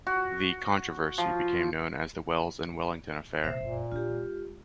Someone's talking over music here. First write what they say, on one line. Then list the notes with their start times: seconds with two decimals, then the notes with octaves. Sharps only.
The controversy became known as the Wells and Wellington affair.
0.07 F#4
1.18 F3
3.44 C2 A#2 C5 E5
3.60 F#1 F2 A#2
3.92 D4 E4 F4 G4
4.10 G#3